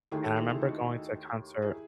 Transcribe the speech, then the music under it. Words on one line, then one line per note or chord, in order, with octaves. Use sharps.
and I remember going to a concert
D#2 D#3 A3 E4 G#4
F#4 A4
E4 G#4
E4 G#4
D#4 F#4
E4 G#4